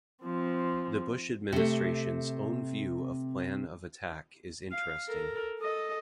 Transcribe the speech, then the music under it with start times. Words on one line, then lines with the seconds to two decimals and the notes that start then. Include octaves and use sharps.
The Bush administration's own view of "Plan of Attack" is interesting.
0.24 F3 C4
1.53 C3 A3
4.71 F5
5.08 A4 A#4
5.60 A4 D#5